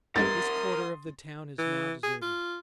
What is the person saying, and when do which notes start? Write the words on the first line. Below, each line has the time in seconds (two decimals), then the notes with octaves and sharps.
This quarter of the town is now deserted.
0.16 G2 A3 D#4 A#4 F#5 C6 D#6 A6
1.59 E3
2.03 G#4
2.22 F4